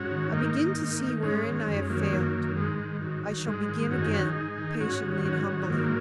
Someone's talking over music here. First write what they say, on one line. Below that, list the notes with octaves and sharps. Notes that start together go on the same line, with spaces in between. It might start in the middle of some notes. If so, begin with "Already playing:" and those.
I begin to see wherein I have failed. I shall begin again patiently and humbly.
Already playing: G#2 C#4 F#4
D#3
G#2 A#3 D#4
D#3
G#2
D#3
G#2 G#3 C#4
D#3
F#2 G#3 C#4
G#3 C#4
D#3 F#3 A#3
G#3 C#4
F#2 F#3 A#3
D#3
G#2 G#3
D#3
G#2 F#3
D#3
G#2 G#3
D#3
F#2 C#4 F#4
D#4 G#4
D#3 C#4 F#4
D#4 G#4
G#2
D#3
G#2 C#4 F#4
D#3
G#2 C#4 F#4
D#3
G#2 F#3 A#3